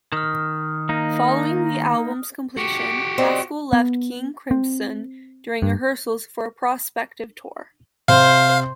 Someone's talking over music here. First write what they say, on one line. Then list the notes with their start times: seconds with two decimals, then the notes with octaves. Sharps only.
Following the album's completion, Haskell left King Crimson during rehearsals for a prospective tour.
0.12 D#3 D#6 F6
0.89 A#3 D#4
2.57 F#4 G4
3.18 C4 D5 D#5
3.73 B3
4.51 C4
5.62 G2
8.08 C3 C5 F5